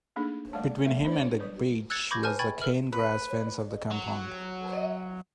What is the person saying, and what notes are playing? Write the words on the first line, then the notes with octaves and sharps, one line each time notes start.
Between him and the beach was the cane-grass fence of the compound.
A3 A#3 D4 D#4 G#4 A4
G3 A3 F#5 A5
F3 A3 B3 A4 E5
D4 C5
F#3 G3 B4 C#5
E6 F#6 G#6 A6 C#7
B5 C#6 D6 G6 G#6 A#6
B4 G#5 A5 F6 G6
G5 G#5 B5 C#6 G#6 A6
A4 B4 F6 F#7
B4
F#3